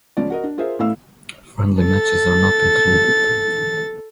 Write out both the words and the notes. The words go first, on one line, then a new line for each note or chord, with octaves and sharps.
Friendly matches are not included.
C#2 F3 C#4 D5
F#4 A#4 D#5
D4
F4 G#4 A#4 C5 E5
A1 A2 E4 F5 E6
A4 A6